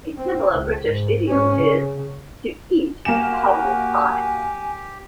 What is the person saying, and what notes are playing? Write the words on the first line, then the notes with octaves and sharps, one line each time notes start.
A similar British idiom is "to eat humble pie".
C4
C#2
G#2
G#2 C#4
C#3
A#3 F#4 G4 G#5 E7